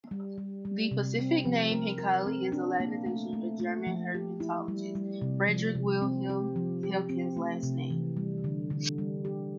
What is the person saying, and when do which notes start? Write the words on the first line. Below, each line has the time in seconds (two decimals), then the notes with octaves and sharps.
The specific name, "henkeli", is a Latinization of German herpetologist Friedrich-Wilhelm Henkel's last name.
0.11 G3
0.38 G3
0.65 G3
0.91 C3
1.19 C4
1.45 F3
1.72 A#4
1.98 A#4
2.26 C4
2.52 D4
2.80 A#3
3.06 A3
3.33 A3
3.60 A3
3.87 F3
4.15 G4
4.40 E4
4.68 G3
4.95 G3
5.21 C3
5.48 F3
5.75 C3
6.02 C4
6.30 G4
6.56 F3
6.83 G4
7.09 C4
7.37 A3
7.63 C3
7.90 E3
8.17 G3
8.44 D3
8.70 D3
8.98 G3
9.25 G4